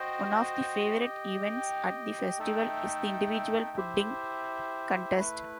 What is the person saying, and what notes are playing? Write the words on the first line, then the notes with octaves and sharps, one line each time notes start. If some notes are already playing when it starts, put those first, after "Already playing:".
One of the favorite events at the festival is the Individual Pudding Contest.
Already playing: F#4 C5 D#5 G5
G4 D#5 G5
A3 D#4 A4 E5 G5
E4 G4 C5 E5
A3 E4 B4